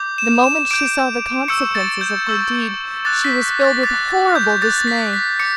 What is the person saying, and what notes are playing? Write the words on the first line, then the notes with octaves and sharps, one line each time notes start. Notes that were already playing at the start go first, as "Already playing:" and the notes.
The moment she saw the consequences of her deed she was filled with horrible dismay.
Already playing: D6 G6
E7
E7
D6 G6 D7
C#6 E6 G6 C#7
A6
G6
C#6 E6 G6
D6 F#6 A6
B6
A6
D6 F#6 A6
A6
G6
D6 F#6 A6
A6
B6
B6
D6 C#7